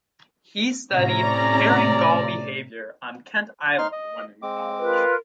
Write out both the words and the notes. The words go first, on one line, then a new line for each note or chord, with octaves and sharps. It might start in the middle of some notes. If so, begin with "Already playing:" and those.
He studied herring gull behavior on Kent Island while in college.
A2 C3 C#4 A#5
D5
D#4 C6 F6
D#5
G#3 C4 D6
F4 A#4 B4